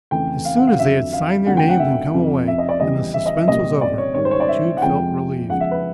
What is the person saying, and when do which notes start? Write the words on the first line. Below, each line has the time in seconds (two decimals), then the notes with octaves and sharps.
As soon as they had signed their names and come away, and the suspense was over, Jude felt relieved.
0.11 F2 C#3 E3 A3 G5
0.45 F5
0.57 F#5
0.67 F5
0.78 F2 D3 F#3 E5
1.13 F5
1.46 F2 D3 F#3 A3 F#5
1.57 G5
1.69 F#5
1.79 E5
2.14 F2 C3 F3
2.47 E5
2.58 D#5
2.69 D5
2.80 E2 C#3 E3 G3 D#5
3.14 E5
3.26 D#5
3.37 E5
3.48 C2 A#2 G3 D#5
3.81 D5
3.98 C#5
4.14 G#2 D#3 G3 C#5
4.25 C5
4.31 C#5
4.40 D5
4.48 E5
4.77 F#5
4.82 F2 C3 F3 G#3 G5
5.50 E2 C#3 F3 G#3 F#5
5.60 E5
5.71 B4